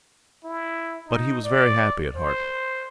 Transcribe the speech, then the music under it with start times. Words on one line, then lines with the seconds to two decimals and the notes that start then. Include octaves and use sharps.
But he was very happy at heart.
0.44 E4
1.07 D#4
1.44 D5
2.15 C5